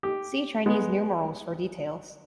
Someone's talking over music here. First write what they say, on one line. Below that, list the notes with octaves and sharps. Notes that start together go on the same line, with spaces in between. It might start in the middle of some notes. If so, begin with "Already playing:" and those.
See Chinese numerals for details.
G4
G#3 B3